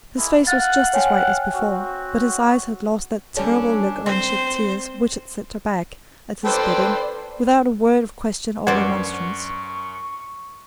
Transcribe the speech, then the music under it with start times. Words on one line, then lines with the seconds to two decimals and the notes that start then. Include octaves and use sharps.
His face was just as white as before, but his eyes had lost that terrible look of unshed tears, which had sent her back, at his bidding, without a word of question or remonstrance.
0.17 G#3 A#3 E4
0.47 F5 F#5 A6
0.93 C#5 G5 G#5
1.55 C4 F#4
3.37 G3 C#4 D4 G4 A4
4.06 C4 C5
6.45 A4 B4 C5 D5 G5
8.67 F#2 C5 D5 F#5 C#6 G#6